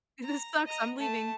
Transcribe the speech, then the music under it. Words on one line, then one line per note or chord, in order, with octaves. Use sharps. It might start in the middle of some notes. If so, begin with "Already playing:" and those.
This sucks. I'm leaving.
A#5
D#5 A#5
A3 A5